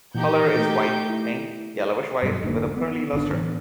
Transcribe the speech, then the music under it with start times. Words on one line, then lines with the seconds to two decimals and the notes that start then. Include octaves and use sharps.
Colour is white, pink, yellowish white with a pearly lustre.
0.14 A#2 E3 D#4 G4 G6
0.57 A3
1.10 E4
2.23 G2 B2 F3 F#3
2.42 F1 G#2 D3 A#3
2.77 B3
3.13 G#1 D3 C#4 D4
3.32 A2 E3 B3